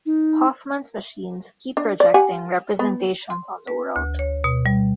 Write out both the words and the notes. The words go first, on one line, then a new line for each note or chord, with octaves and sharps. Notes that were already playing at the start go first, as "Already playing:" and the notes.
Hoffman's machines keep "projecting representations on the world".
D#4
D4
D5
G4 F#5 G#5
B3
C6
B4
D2
C#5
B2
G3